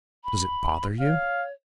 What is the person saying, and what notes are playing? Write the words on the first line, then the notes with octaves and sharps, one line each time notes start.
"Does it bother you?"
B5
C#5 F5